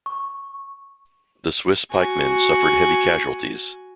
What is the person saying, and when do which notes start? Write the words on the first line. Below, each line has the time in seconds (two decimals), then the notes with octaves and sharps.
The Swiss pikemen suffered heavy casualties.
0.06 C#6
1.92 F#4 G#5